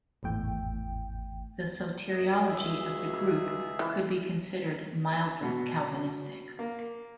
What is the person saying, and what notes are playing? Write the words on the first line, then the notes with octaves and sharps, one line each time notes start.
The soteriology of the group could be considered mildly Calvinistic.
G#1 E2 A2 G5
F#2 F#4 D#5
C#2 G#4 E5
E3
B2
A#3